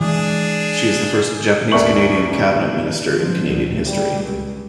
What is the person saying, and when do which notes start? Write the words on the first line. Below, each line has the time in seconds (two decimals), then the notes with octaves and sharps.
She is the first Japanese-Canadian cabinet minister in Canadian history.
0.01 E3 G#3 D4 G#4
1.72 D#2 D4 A#4 E5 C#6 F#7
3.16 F3
3.46 D2
3.82 G3
4.22 C#2